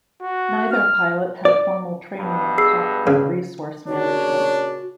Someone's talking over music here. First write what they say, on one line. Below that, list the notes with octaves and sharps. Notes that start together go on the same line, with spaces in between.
Neither pilot had formal training in cockpit resource management.
F#4
F6
D5
G2 B2
G#4 E6 C7
C#3
A#2 C#3 D4 F#4 C#5